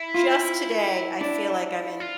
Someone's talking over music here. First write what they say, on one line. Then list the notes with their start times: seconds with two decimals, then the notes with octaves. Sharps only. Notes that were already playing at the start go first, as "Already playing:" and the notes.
just today, I feel like I'm in
Already playing: E4
0.14 F4
1.21 D4
2.00 F4